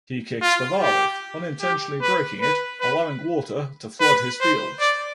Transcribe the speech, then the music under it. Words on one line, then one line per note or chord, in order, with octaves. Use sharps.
He kicks the valve, unintentionally breaking it, allowing water to flood his fields.
F4
G4
G4
B4
B4
B4
B4
C5
D5